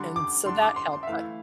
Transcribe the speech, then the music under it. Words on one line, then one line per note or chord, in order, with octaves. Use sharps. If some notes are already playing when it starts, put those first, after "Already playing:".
And so that helps, I
Already playing: D3 G3 D4 C6
D6
D3 G3 D4 C6
D6
C6
C6
E5
E3 A3 E4 F5